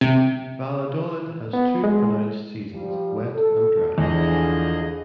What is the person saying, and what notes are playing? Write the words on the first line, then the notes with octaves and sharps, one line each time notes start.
Valladolid has two pronounced seasons, wet and dry.
C3
B3
G#3
F3 G3
A4
E2 D3 F3 G#4 D#5